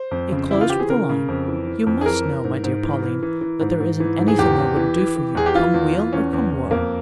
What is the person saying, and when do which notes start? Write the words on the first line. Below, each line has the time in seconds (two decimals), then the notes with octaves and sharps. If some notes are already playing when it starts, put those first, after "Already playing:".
It closed with the line, "you must know, my dear Pauline, that there isn't anything I wouldn't do for you, come weal or come woe."
Already playing: C5
0.11 F2
0.32 C#3
0.50 E3 E4
0.61 F4
0.70 E3 G4
0.80 G#4
0.89 C#3 A#4
1.09 C#3
1.28 F2
1.48 E3
1.67 E3
1.86 F2
2.01 G#4
2.06 E3 A#4
2.26 E3
2.44 G#2
2.64 G#2
2.83 E3
3.02 E3
3.23 E3
3.41 E3
3.61 G#2
3.80 G#2
4.00 E3
4.19 G#2
4.28 G#4
4.38 E2 G4
4.58 E2
4.77 E3
4.96 E3
5.16 E3
5.35 E2 G#4
5.46 G4
5.55 E3 F4
5.74 E2
5.93 E3
6.13 E2 C#4
6.33 E2
6.51 E2
6.71 F2 A#3